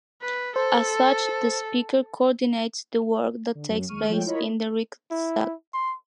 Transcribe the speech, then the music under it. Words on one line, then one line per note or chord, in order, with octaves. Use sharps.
As such the speaker coordinates the work that takes place in the Riksdag.
B4
A4 C5
D3
F#2 F#3
D#2 G#3 C#6 F6 D#7
F3 G#3 A3 F4 C#5 G5
E4 F4 A#4 C#5 D#5 B5
A3
E4
C6